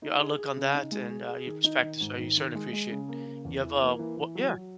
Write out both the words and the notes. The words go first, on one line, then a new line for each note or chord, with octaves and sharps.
your outlook on that and, uh, your perspectives, so, certainly appreciate it. You have a wo Yeah.
D#4
G#4
G#4
C#3
D#4
G#3
G#4
G#4
D#3
D#4
D#3
G#2
D#3
D#3
G#3
G#3
C#3
A#3
C#3
E2
E3
A#3
E3
E3
F#3
F#3